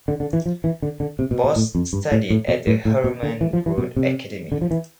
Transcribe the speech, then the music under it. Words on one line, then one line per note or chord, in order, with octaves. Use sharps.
Bos studied at the Herman Brood Academie.
D3
D3
E3
F3
E3
D3
D3
C3
B2
B2
A2
F2
G2
A2
A2
B2
A2
A2
B2
D3
E3
F3
E3
B2
C3
D3
F3
E3